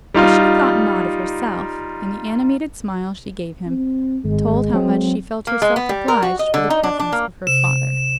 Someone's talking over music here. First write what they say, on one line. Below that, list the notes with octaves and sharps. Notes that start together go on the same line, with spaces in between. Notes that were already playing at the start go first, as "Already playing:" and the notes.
But she thought not of herself, and the animated smile she gave him, told how much she felt herself obliged for the preference of her father.
G3 D#4 F4
C4
G#1 G#3
F#3 C4
A#3
G#3
B3
G3
A#4
F#4
D#5
D3
D#4
D4
D4
A#3
C3 E7